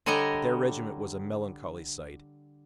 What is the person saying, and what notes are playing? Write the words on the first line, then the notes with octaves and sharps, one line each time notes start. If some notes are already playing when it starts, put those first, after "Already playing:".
But their regiment was a melancholy sight.
D3 G3 C#5 D#5 G#5 A#5